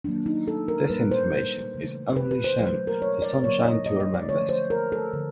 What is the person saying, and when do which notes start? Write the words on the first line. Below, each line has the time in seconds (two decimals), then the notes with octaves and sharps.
This information is only shown for Sunshine Tour members.
0.05 D#3 F#3 A#3 D4
0.26 D#4
0.48 A4
0.68 A#4
0.90 A#2 G3 A#3 B4
1.11 C5
1.74 C#3 E3 A3
2.16 B4
2.31 B4
2.44 C5
2.59 B2 F#3 A3 C5
2.87 A#4
3.02 C#5
3.22 D5
3.43 D3 F#3 A#3 C#5
3.65 D#5
3.86 D#5
4.00 D#5
4.14 D5
4.29 D3 F3 A3 C#5
4.49 C5
4.70 A#4
4.92 A4
5.13 D3 F3